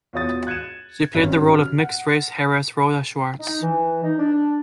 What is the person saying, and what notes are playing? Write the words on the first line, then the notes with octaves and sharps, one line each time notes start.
She played the role of mixed-race heiress Rhoda Swartz.
E2 F4 F#4 C#5 D#6 A6
F#6 G#6 C#7 D#7 E7
G#1 G2 C#4 F#4
F6
F#5
D#4
E3
D#4
D4